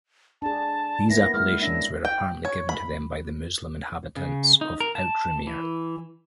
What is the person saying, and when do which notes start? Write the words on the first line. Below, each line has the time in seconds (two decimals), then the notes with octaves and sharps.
These appellations were apparently given to them by the Muslim inhabitants of Outremer.
0.42 D4 G#4 A5
1.10 A#3 B3 E4 A#6
1.34 G#3 E4 F6
1.62 C#4 D4 E5 A#6
2.05 G5
2.45 C#5
2.69 B5
4.17 C#3
4.61 D#4
4.80 A#4
4.95 A5
5.47 E3